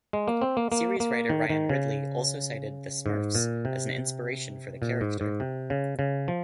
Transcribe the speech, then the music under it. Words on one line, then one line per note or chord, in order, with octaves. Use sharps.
Series writer Ryan Ridley also cited "The Smurfs" as an inspiration for the character.
G#3
A#3
C4
A#3
A#3
A#3
D#3
D#3
C#3
G#2
A#2
C3
A#2
G#2
G#2
C3
C#3
C#3
F3